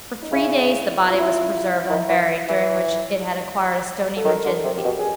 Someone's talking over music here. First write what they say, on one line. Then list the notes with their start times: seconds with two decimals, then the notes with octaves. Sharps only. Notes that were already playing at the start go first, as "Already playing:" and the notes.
For three days the body was preserved unburied, during which it had acquired a stony rigidity.
0.22 D#4
0.31 C#3 E4
1.10 F4
1.19 E4
1.28 F4
1.89 D#3 E4
2.09 E3
2.48 E3
4.17 A4
4.24 D#3 A#4
4.45 D3
4.64 C3
4.77 G4
4.85 B2
4.99 G#4